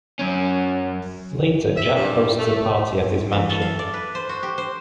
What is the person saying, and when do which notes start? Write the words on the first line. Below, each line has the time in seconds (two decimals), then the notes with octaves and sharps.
Later, Jack hosts a party at his mansion.
0.19 F#2 C#4
1.76 E5
1.95 G2
2.38 A3
3.32 E3
3.50 A4
3.62 F5
3.79 D5
3.94 B4
4.15 C5
4.29 F#4
4.43 G4
4.58 C5